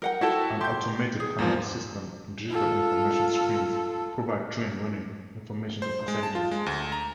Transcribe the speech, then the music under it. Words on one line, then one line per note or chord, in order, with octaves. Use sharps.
An automated Tannoy system and digital information screens provide train running information to passengers.
A#4 F#5 G5
E4 F#4 A4 E5 G5 A5
G4 C6 G6
G#4
E2 A#2 F3
F4 A4
C5
G#3
A5
F4
G#3
D2
A#5